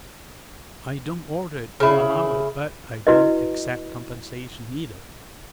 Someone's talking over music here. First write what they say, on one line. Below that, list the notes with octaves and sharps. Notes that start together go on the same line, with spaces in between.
I don't order it or allow it, but I don't exact compensation either.
C#3 E4
E4 F#4 B4 D#5